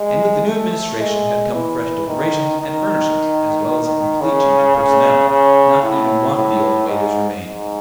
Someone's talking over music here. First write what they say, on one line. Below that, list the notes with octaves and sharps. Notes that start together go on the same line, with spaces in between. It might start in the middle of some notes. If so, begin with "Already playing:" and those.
And with the new administration had come fresh decorations and furnishings as well as a complete change of personnel: not even one of the old waiters remained.
Already playing: G#3
A3
G#3
E3
D#3
D#3
C#3
C#3
C#3
A2
A2
G#2
G#2